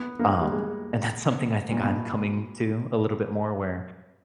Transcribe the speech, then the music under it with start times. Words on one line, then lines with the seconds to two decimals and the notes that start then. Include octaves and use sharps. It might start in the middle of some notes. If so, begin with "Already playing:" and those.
Um, and that's something I think I'm coming to a little bit more where,
Already playing: B3
0.19 A#3
0.41 G3
0.52 G#3
1.72 A#2
1.83 B2